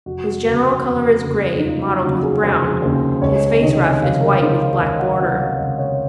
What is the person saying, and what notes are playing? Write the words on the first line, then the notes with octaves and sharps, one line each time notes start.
His general color is gray, mottled with brown. His face ruff is white with black border.
F1 F#4
D#2 C#3
F1
D#2 C#3
D#4
F1 F4
F#4
D#2 C#3
G#4
F1 C5
D#2 C#3 C5
C#2 C#5
C3 D#3 D#5
C#2 F5
A#4
C3 D#3 C5
F5
C#2 D#5
F#5
C3 D#3 F#5
F5
C#2 D#5
C#5